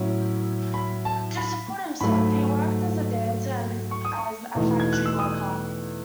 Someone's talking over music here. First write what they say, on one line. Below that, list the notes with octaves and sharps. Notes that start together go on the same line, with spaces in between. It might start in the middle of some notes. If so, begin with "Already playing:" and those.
To support himself, he worked as a dancer and as a factory worker.
Already playing: A2 F#3 C#4 E4
B5
A5
B5
G#2 F#3 A3 B5
C#6
D#6
C#6
E2 B2 A3 D#4
G#6
F#6
E6
D#6